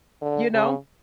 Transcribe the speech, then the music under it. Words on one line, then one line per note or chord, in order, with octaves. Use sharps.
you know?
D3
C#3